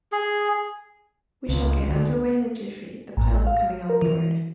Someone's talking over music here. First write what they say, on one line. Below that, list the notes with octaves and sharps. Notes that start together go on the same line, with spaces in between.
We shall get underway in a jiffy, the pilot's coming on board.
G#4
C#2
D2
A1
F5
A#4
E3